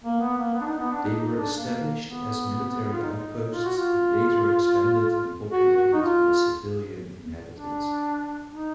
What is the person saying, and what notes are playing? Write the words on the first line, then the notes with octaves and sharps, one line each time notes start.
They were established as military outposts and later expanded and populated with civilian inhabitants.
A#3
B3
A#3
B3
D4
D#4
B3
D4
D#4
D#4
D4
A#3
B3
F4
D#4
F4
F#4
F4
F#4
F#4
D#4
F4
D4
D#4